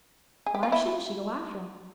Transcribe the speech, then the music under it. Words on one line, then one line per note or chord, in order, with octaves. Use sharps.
Why shouldn't she go, after all?
G#4
G4
F4
E4